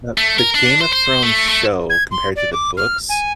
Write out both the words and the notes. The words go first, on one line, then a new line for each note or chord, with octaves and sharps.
The The Game of Thrones show compared to the books,
A3
A#4
D4
C5
C5
A3
A3
G#6
C6
D5
D6
F6
G#5